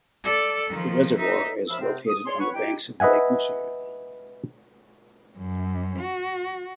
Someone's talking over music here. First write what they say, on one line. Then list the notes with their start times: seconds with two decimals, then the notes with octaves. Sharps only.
The reservoir is located on the banks of Lake Michigan.
0.24 A4 D5
0.70 D#3 F3
1.17 D#4 E5
1.69 D#2 F3 E5 F5 B5 E6
1.81 C3 B3 C4
2.08 D#6
2.27 G#4 C#5 D5 C6
2.40 B4 C#5 F#5 C#6
2.54 D#4 E4 G4 G5
3.00 B4 D#5 E5 F#5 G#5
5.37 F#2
5.98 F#4